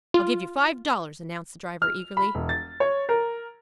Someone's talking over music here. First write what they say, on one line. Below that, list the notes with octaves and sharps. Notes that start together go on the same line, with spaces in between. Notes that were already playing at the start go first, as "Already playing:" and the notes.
"I'll give you five dollars," announced the driver eagerly.
F4
F6
B5
E1
A6
C#5
A#4